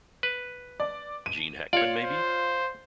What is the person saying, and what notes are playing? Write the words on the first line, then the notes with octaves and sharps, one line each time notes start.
Gene Hackman, maybe.
B4
D5
D#7
F4 C#5 D5
C5